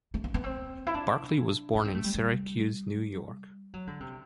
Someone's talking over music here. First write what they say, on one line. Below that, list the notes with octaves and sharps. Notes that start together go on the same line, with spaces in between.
Barclay was born in Syracuse, New York.
A3
B3
B3
C4
E4
D4
D4
C4
A3
G3
G3
F#3
D3
C3